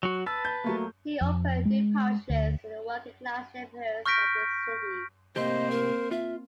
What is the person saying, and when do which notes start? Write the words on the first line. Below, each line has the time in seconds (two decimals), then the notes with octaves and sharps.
He opened new parishes in the working-class neighborhoods of the city.
0.03 F#3 F#4
0.26 B4 A5 E6
0.45 G6
0.64 F#3 A3 A#3
1.21 F2
1.65 G#3
2.30 D2
4.06 C#6 F6 G6 A#6 B6 D7
5.36 A2 C3 A#3 C4 G4 C5 D#5
5.71 A#4
6.11 F4 E5